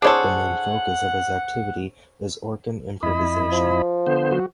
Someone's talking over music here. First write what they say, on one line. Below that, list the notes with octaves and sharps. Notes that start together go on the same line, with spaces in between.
The main focus of his activity is organ improvisation.
D4 E4 G#4 A4 C5 C#5 F#5
F2 E4 D#5 B5
F3
D3 B3 C5
F#3 F#4